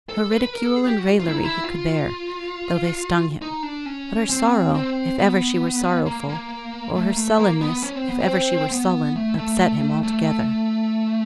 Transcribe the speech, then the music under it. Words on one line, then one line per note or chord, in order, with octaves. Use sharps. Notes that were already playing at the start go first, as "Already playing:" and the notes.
Her ridicule and raillery he could bear, though they stung him; but her sorrow, if ever she were sorrowful, or her sullenness, if ever she were sullen, upset him altogether.
A4
B4
B4
A#4
A4
G#4
G4
F#4
F4
E4
D#4
E4
F4
D#4
D4
C#4
C4
C4
B3
A#3
A#3
A3
A#3
A3
A#3
B3
C#4
C4
B3
C4
B3
A3
A3
A3